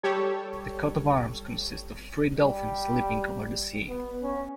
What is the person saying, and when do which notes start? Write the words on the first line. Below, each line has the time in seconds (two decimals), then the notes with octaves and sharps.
The coat of arms consists of three dolphins leaping over the sea.
0.03 G3 G4 A4 C#5
2.36 G3
3.89 B3
4.23 C#4